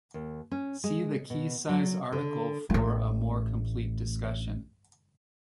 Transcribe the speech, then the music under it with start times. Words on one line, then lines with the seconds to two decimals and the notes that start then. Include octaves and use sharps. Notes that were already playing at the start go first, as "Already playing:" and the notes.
See the key size article for a more complete discussion.
0.14 D#2
0.51 C#4
0.84 G#3
1.30 B2
1.69 F#3
2.12 D3
2.70 A1 A3